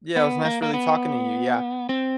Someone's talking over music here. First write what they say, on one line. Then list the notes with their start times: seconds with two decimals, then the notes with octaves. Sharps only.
Yeah, it was nice really talking to you, yeah.
0.16 B3
0.45 A#3
0.62 A#3
0.74 B3
1.89 C4